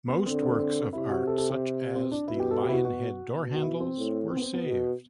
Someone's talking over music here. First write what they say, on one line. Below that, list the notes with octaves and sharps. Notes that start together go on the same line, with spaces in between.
Most works of art, such as the lion-head door handles, were saved.
B3
D3 C4
C4
C4
C3 E4
F#4
A4
A4
G4
C4
D4
B2 E4
G4
A4
G4
E4
F#4
F#4
B2
F#4
E4
C4
A2
C4
B3
C4
B3
B2